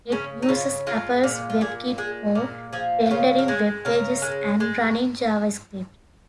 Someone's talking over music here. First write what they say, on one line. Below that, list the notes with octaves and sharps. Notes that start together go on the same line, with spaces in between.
It uses Apple's WebKit for rendering web pages and running JavaScript.
C#3 C#4
D#4
C#3 F4
G#3 F4
A#2
F4
A#2 G#4
G#3 G#4
A#2 A#4
F3 G#4
C#3 F4
A#4
G#3 G#4
C#3 A#4
G#3
G#3